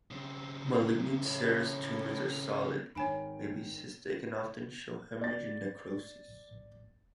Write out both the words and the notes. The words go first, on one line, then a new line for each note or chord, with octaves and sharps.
"Malignant" serous tumours are solid, may be cystic and often show haemorrhage and necrosis.
C#3 C4
A2
G#1 D#3 C#5 G#5 B5 D7
D5 A6